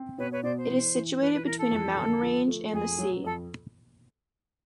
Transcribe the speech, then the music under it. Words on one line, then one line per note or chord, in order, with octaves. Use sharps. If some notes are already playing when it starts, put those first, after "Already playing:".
It is situated between a mountain range and the sea.
Already playing: C4
B2 B4 C#5
B4 C#5
B2 C5 D5
C5
E3
E3
E3 B4
B4
E3 A#4
A4
F2
D3
F3
A3
F2 G#4
F#3
F2 A4